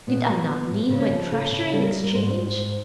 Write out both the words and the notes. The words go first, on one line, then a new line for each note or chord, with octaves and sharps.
"Did I not leave my treasure in exchange?"
A#2 B3
F#3
B3
A2
C#3 C4
C#4
F3
C#3 A4
C#3
G3 A4
A#4
G3
A#4
G#2 C5
G#2
G#2